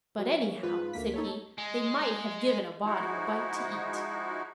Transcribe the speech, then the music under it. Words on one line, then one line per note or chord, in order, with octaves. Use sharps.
"But anyhow," said he, "they might have given a body a bite to eat."
F#3
A#3 C#4
G#2 F4 B4
D2 A#3 B6
D#4 A4 C#5
G#3
F3 G#3 D#4 E4 F#4